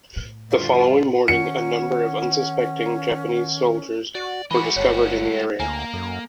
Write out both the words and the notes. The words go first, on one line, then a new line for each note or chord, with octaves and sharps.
The following morning a number of unsuspecting Japanese soldiers were discovered in the area.
A2
F2 D3 G3 F4 F#4
D#3 C#4 F#5 C#7
F#4 D5
E3 G#3 F#4 G#4 B5
G1 C#5 G5 A5
C5
D2 A#3 G#5
F#2 A4